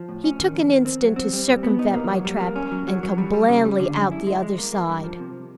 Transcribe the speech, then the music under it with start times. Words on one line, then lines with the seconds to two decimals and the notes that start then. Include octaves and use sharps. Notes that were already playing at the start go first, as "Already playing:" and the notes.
He took an instant to circumvent my trap and come blandly out the other side.
Already playing: F3
0.09 A2
0.24 C#4
0.39 D#3
0.55 F2
0.70 D#3
0.85 C4
1.02 F#3
1.16 C4
1.33 G3
1.48 A#2
1.63 B3
1.79 D#4
1.94 A#3
2.10 F#3
2.25 G3
2.40 A#3
2.56 C#4
2.72 F#3
2.88 F#3
3.03 F#3
3.18 G3
3.33 G3
3.49 C#3
3.65 G3
3.80 D3
3.96 F#2
4.11 E4
4.27 G#3
4.42 G#3
4.58 A#3
4.73 A#3
4.89 G2
5.04 F3
5.20 C3